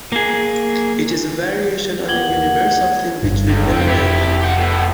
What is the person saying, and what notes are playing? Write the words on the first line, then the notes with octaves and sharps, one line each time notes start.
It is a variation on a universal theme which will never end.
A#3 G#4
A#3 B3 G4 G#6 F#7 G7
G1 G2
C#2
F1 F2 C4
E4 G4
G4 F#5
A2 B3